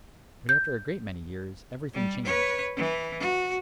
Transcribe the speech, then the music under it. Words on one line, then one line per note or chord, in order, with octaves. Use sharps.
But after a great many years, everything changed.
G6
G3
B4 C#5
E3
F#4